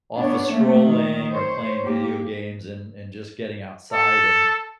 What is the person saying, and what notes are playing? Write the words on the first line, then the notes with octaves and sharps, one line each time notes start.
office scrolling or playing video games and and just getting outside, and,
B3 D4 C#5
A3 A#3
D#3
C5 C#5
A#3 G4
A4